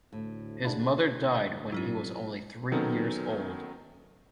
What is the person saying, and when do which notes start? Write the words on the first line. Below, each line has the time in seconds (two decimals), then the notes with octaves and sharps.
His mother died when he was only three years old.
0.12 D2 A2
0.65 D4 E4 G#4 F#5
1.72 C2 G#2 F#3 C#4 F4
2.72 D#3 F#3 B3 C#4 D#4 A4